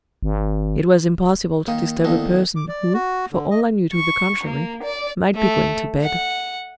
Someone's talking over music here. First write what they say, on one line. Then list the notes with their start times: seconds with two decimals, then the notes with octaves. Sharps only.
It was impossible to disturb a person, who, for all I knew to the contrary, might be going to bed.
0.23 G#1
1.68 D#3 A#3 F5
2.05 D2 D#3 B3 E4 F5
2.56 D6
2.68 D5
2.94 F#4
3.33 D3
3.51 D#5
3.93 C#6
4.44 A#3
4.83 D5
5.36 A3
6.01 F#5